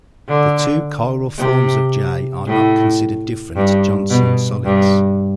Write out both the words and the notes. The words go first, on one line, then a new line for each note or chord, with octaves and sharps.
The two chiral forms of "J" are not considered different Johnson solids.
D3
C3
A2
G2
B2
G2